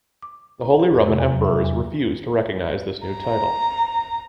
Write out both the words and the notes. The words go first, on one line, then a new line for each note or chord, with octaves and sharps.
The Holy Roman emperors refused to recognise this new title.
D6
A#5
G4
F2
C3
E2
F#3
E5
E2
A#5